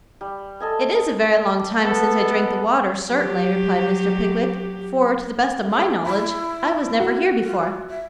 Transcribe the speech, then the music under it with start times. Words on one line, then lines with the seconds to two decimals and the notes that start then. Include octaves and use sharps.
'It is a very long time since I drank the waters, certainly,' replied Mr. Pickwick; 'for, to the best of my knowledge, I was never here before.'
0.21 G3
0.60 A4 D#5 G#5
1.84 B3 A4 A5
3.05 F#3 G4
5.71 G#4
6.06 E4 B5
7.00 F#4
7.44 F4
7.90 E5